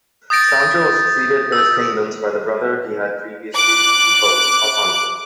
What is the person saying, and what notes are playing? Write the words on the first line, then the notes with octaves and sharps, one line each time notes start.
Sancho was succeeded in his kingdoms by the brother he had previously deposed, Alfonso.
D#6 G6 A6 A#6 D7
E6
D6 F#6